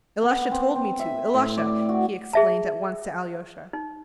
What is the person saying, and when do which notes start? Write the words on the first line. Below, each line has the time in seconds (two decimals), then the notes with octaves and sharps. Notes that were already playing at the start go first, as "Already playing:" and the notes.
"Ilusha told me to, Ilusha," he explained at once to Alyosha.
0.23 B3
0.51 C4
0.75 C4
0.99 E5
1.34 A2
1.57 D5
1.89 F#4
2.33 G#4 E5 A5
3.73 D#4